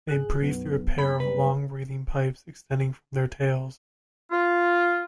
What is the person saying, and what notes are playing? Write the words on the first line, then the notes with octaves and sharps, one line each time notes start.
They breathe through a pair of long breathing pipes extending from their tails.
G#1 G#4 F#6
B1 F#2 B3
F#1 B5
F#1 G3 B4
F4